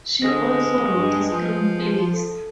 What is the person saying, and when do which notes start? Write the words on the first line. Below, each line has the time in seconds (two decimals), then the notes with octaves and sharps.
She also wrote screenplays.
0.22 D3 G#3 C5 A#6
0.58 B4
0.89 G2
1.29 F3
2.13 A4